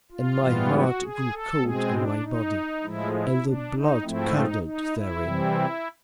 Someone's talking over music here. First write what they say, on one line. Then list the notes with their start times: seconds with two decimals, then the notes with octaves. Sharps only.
And my heart grew cold in my body, and the blood curdled therein.
0.12 F4
0.42 G#2 E3 G3 B3
0.72 F#4
1.03 G#4
1.32 A4
1.62 B2 G#3 C4 G#4
1.92 D4
2.23 D#4
2.83 A2 F3 G#3 E4
3.12 E4
3.43 D4
3.73 D#4
4.03 G#2 F3 A3 C4 E4
4.34 D#4
4.63 D#4
4.93 E4
5.24 C3 E3 G3 C4